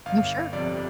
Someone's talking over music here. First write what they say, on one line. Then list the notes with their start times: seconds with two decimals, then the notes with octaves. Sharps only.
No, sure.
0.06 G1 F5
0.53 F2 C3 D5